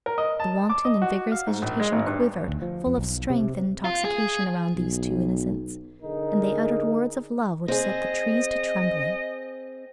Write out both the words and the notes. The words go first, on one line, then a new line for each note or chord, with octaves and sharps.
The wanton and vigorous vegetation quivered, full of strength and intoxication, around these two innocents, and they uttered words of love which set the trees to trembling.
A#4
D#5
A5
D6
D#5
F#4
F5
G#2
A#1
G#3
G#1
G2
D2
F3
F2
B1
C3
F4
G#4
B1
D3 D#4 G#4 A#4
C4 G#4 D#5